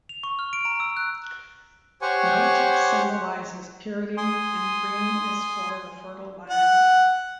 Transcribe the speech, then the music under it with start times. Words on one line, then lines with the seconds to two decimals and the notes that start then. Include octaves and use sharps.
White symbolizes purity, and green is for the fertile land.
0.09 F7
0.23 C#6
0.39 F6
0.53 D7
0.65 A#5
0.80 E6
0.97 F#6
2.02 G4 C5 C#5 F#5 G#5 C#6
4.18 G#5 C6 D#6
6.50 F#5